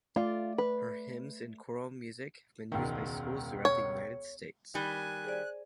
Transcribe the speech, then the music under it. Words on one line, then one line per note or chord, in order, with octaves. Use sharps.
Her hymns and choral music have been used by schools throughout the United States.
A3 F4 D5
B4
E1 C#2 D#3
C#5
D#3 G3 G#5 F#6
G#4 C5 D5